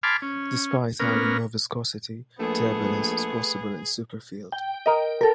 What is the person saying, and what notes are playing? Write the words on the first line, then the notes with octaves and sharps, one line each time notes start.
Despite having no viscosity, turbulence is possible in a superfluid.
G#5 A5 B5 C6 D6 F6
C#4
A#3 B3 C#4 A#4
A#1 A3 B3 G#4
G5
A#4 D#5
A4 A#4